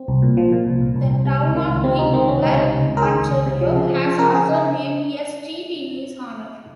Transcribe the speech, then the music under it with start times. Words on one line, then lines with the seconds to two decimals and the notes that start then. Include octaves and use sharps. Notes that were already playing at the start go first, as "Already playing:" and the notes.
The town of Deep River, Ontario has also named a street in his honour.
Already playing: C4
0.08 C2
0.22 A#2
0.37 F3
0.52 A#2
0.67 C2
0.81 A#2
0.96 C2
1.11 C2
1.25 C3
1.41 C#2
1.55 D#3
1.70 C#2
1.84 C3 C4
1.98 C#2 D#4
2.13 D#3 C4
2.28 C3 C#4
2.43 C#2 D#4
2.51 C#4
2.57 C3 D#4
2.73 C#2
2.88 C#2
2.97 A#4
3.01 D#3 G#4
3.16 C#2
3.31 C#2
3.46 C3
3.61 F3
3.76 C#3
3.90 F3
4.05 C#3
4.19 C#3 A#4
4.33 C#3 G#4
4.49 D#4